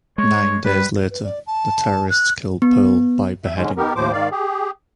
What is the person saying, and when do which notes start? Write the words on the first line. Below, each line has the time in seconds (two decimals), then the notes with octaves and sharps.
Nine days later, the terrorists killed Pearl by beheading.
0.18 G#3 C#5
0.65 G3 B4
1.10 B4
1.24 D5
1.46 A5
2.09 F#6
2.62 B3
3.44 E5
3.57 G#2 D3 G#3 C#4
3.77 B3 D#4 G4 A#4
3.95 D#2 A2 F3 C5 D6
4.13 G#2 D#3 D5 F5
4.31 G4 G#4